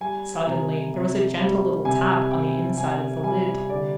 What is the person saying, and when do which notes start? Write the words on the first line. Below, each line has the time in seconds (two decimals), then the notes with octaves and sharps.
Suddenly there was a gentle little tap on the inside of the lid.
0.01 G3 G#5
0.47 C3 A#5
0.94 C3
1.40 G3
1.85 C3 G#5
2.31 C3 G5
2.77 C3 G#5
3.23 G3 G#5
3.69 D3 D5